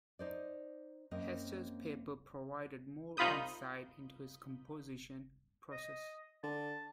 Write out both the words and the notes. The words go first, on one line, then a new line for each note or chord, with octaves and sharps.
Hester's papers provide more insight into his composition process.
D#4 C5 D5
F#2 A#3 C4 D#5
C2 D#4 F4 B5 D#6 G6
D#5
D3 A5